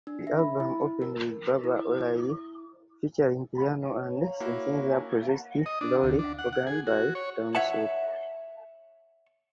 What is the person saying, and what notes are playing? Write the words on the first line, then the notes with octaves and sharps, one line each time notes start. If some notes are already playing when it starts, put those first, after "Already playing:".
The album opened with "Baba O'Riley", featuring piano and synthesizer-processed Lowrey organ by Townshend.
D4
E5
B5
E4
A#4
E4
C#5
A#3 E4 F#4
D#5
D4
D2
D4
F#5
F#5
G#4
F#4
C#5
C#5 E5 F#5 A5